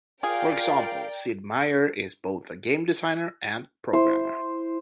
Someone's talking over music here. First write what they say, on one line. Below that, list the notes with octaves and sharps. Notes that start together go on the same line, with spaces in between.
For example, Sid Meier is both a game designer and programmer.
F4 G#4 A#4 D5 F5 G5
E4 C5